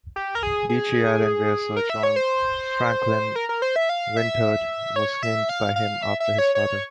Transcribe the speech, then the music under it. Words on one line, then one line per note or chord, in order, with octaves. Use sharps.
Beechey Island, where Sir John Franklin wintered, was named by him after his father.
G4
A#4
G#4
G#4
A#4
E5
C#5
C5
A#4
A#4
C5
E5
F5
E5
C#5
E5
F5
F5
E5
E5
C#5
C#5